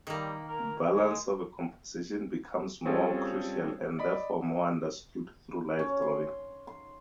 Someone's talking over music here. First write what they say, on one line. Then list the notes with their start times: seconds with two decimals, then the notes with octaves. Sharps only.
Balance of a composition becomes more crucial and therefore more understood through life drawing.
0.07 D#3 G3 A#3
0.48 A#4
0.93 G#3
2.85 G3 C4 C#4 F4 G#4 A4
3.99 D5 D#5 B5
5.79 C#4
6.02 C6
6.67 C6